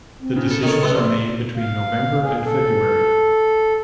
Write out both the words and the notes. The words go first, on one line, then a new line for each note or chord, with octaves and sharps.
The decisions are made between November and February.
C4
C#3
A4
D#3 A4 C#5
A3 B3 C6 E6
A#1 D5
F5
G#4
A4